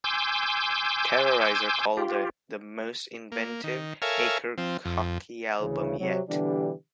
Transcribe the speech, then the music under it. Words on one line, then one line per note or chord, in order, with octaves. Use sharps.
"Terrorizer" called it "the most inventive Akercocke album yet".
G#5 C6 D6 E6 G6
F4 G4
A#3
D#3
A4 A#4 C#5 E5 F5 G#5
F3 C4
F2
D2 C#3 E3
C3 F#3 G3
B2 D3 E3 G3 D4 G4